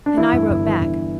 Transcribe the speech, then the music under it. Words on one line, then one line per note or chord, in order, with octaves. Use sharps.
And I wrote back.
D4
E3 E4
G2
G1
E3
G2